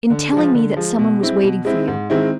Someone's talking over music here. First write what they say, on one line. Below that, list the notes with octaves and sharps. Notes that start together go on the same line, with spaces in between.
"In telling me that some one was waiting for you."
D3
F3 G#3
D3
F3 G#3
B2
G#3 C4 E4
B2
G#3 C4 E4
G#2
D#3 G#3 C4 E4